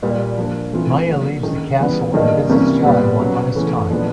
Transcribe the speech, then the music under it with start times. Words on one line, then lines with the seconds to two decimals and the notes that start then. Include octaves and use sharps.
Maya leaves the castle and visits Jai one last time.
0.02 A#2 G3 A#3
0.38 F3 A#3 D4
0.73 E3 A3 C4 F4
1.08 D3 F#3 A#3
1.43 D#3 G#3 C#4
1.79 C#3 E3 G3 B3
2.13 G2 D#3 G3 A#3 D#4
2.49 C3 E3 G3 A#3 C#4
2.85 A#2 G3 B3
3.20 C#3 F#3 B3
3.55 C#3 E3 A3 C#4
3.90 A#2 F3 G#3 B3 D4